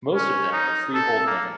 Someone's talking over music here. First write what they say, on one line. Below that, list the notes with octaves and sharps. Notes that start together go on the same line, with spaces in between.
Most of them are freehold land.
C#4
D#4
A4
A#3